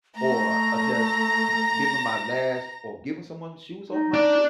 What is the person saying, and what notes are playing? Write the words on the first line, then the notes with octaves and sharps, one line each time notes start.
or, uh, just, you know, giving my last or giving someone shoes off my feet.
A3 A#5 A#6
D#4
D4 D5